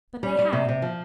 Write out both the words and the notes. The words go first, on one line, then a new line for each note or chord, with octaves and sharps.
But they had.
G3
G3
C3
C3
F3